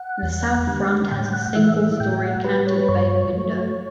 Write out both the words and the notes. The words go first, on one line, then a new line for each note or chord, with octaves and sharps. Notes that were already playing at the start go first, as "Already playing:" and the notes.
The south front has a single-storey canted bay window.
Already playing: F#5
E2
D3 G3
A2 G5
F#5
F#5
E3 A3 E5
E5
A2 G5
F#5
G3 B4
C#5
B4
G2 C#5
F#3 A3